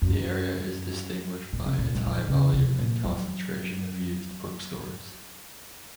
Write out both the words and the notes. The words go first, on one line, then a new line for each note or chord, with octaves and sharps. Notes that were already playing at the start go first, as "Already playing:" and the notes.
The area is distinguished by its high volume and concentration of used bookstores.
F#2
A#2
C3
A#2
F#3
F3
D#3
C#3
C3
A#2
F#3